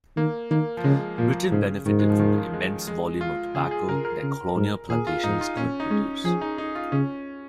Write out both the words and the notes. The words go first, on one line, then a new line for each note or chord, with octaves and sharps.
Britain benefitted from the immense volume of tobacco that colonial plantations could produce.
D#3 A#3
D#3 A#3
F3
C#3 G#3
A#2 F3
G#2 C#3
G#2 D#3
G#3
F3
D#3
F3
G#3
G#3
F4
C#3 G#4
G#4
C#3 A#4
A#4
C#3
G#2
A#2 G#4
F4
G#2 D#4
F4
A#2 C#4
D#4
G#3 C#4
F3 G#4
D#4
D#4
F4
C#3 C#4